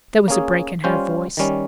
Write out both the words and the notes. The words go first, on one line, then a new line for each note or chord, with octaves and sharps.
There was a break in her voice.
A#3 C#4 G#4
G3 C#4 F4 C5
D#3 G3 C#4